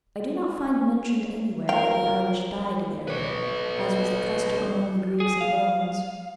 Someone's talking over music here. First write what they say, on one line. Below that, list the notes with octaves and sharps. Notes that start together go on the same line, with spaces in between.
I do not find mentioned anywhere that the Irish dyed their hair, as was the custom among the Greeks and Romans.
A#4 F5 G5
B4 C#5
G#4
F5